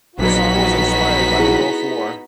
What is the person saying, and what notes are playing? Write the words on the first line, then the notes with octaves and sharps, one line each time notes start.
The song was inspired by the Gulf War.
A#1 F#3 B3 D#4 F#4 B6
E4 G#4 F#5